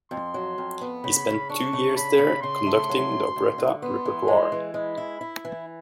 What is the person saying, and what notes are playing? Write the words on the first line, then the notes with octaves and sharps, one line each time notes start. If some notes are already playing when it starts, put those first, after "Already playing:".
He spent two years there, conducting the operetta repertoire.
F2 C6
F#3
F2
B3
C#3 B5
C#3
D4 C#6
C#3
C#3 B5
C#3
C#3 C6
A3
F#3
D2
D2
D3
B3 C6
E3
G#3
E3
G#3 B5
E4
E4
E3